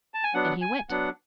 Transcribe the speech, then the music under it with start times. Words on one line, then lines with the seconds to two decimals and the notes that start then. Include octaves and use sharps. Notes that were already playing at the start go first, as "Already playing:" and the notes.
And he went.
0.14 A5
0.24 G#5
0.34 F#3 B3 D4 F#5
0.61 G#5
0.89 F#3 B3 D4 F#5